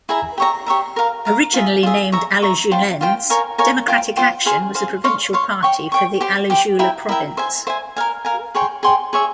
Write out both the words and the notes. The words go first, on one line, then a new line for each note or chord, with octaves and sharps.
Originally named Alajuelense Democratic Action was a provincial party for the Alajuela Province.
E4 G#4 E5 A#5
G4 C#5 E5 A#5
G4 C#5 E5 A#5
A#4 F5 A#5
A#4 F5 A#5
F4 G#4 E5
F4 G#4 E5
C#5 E5 A#5
C#5 E5 A#5
F4 C5 G5
F4 C5 G5
A#4 C#5 F5 G#5
A#4 C#5 F5 G#5
F4 C5 G5
F4 C5 G5
G#4 C5 F5 C6
G#4 C5 F5 C6
C#5 F5 C6
C#5 F5 C6
C#5 G5 C#6
C#5 G5 C#6
G4 C5 G5
G4 C5 G5
E4 A#4 E5 G5
E4 A#4 E5 G5
C5 E5 G#5
C5 E5 G#5
A#4 F5 G#5
A#4 F5 G#5
G#4 C#5 G5 C6
G#4 C#5 G5 C6
G#4 C#5 E5 G#5